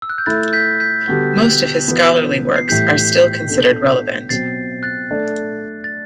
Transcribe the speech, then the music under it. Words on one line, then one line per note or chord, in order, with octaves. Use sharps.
Most of his scholarly works are still considered relevant.
E6
F#6
G6
A3 E4 A4 F#6 A6
G6 B6
G6 B6
D3 G3 B3 F#4
E3 B3 F#4 B4
C7
A2 E3 G3 G6 B6
B3 D4 A4
B2 F#3 C4 A6 C7
F#6 A6
A3 D4 A4 D5
A6